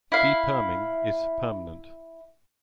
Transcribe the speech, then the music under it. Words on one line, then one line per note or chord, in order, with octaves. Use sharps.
Deperming is "permanent".
E4 F5